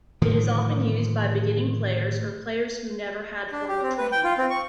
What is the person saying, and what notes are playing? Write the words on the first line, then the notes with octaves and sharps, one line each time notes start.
It is often used by beginning players, or players who never had formal training.
A2 D3 D#3 F3
D4
G4
C4
B4
G5
F4
C4
C#6